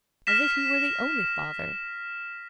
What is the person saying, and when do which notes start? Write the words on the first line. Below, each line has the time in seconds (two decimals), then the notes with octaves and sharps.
"As if he were the only father."
0.27 F6 A#6 B6 E7